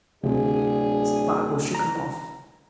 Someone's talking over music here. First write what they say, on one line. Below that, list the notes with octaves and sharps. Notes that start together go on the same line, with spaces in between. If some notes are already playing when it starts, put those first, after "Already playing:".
Spargo shook him off.
D1 D2 C3 D4 G#4
A#5